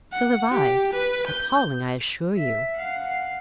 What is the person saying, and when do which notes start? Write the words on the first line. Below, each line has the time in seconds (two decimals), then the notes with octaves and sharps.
So have I. Appalling, I assure you.
0.13 F#5
0.52 G4
0.93 B4
1.27 G6
2.36 E5
2.77 F5 F#5